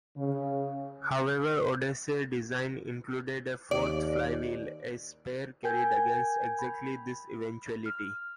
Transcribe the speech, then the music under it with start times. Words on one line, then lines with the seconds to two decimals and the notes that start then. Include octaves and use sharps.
However, "Odyssey"s design included a fourth flywheel, a spare carried against exactly this eventuality.
0.17 C#3
3.71 D#2 D5
5.63 A#4 G5 G#5 G6 G#6
6.59 B5
7.86 F6